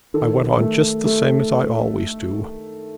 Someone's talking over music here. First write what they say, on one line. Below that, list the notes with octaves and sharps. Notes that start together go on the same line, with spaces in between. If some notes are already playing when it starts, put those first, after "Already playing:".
I went on just the same as I always do.
D#3 A4
A3
A3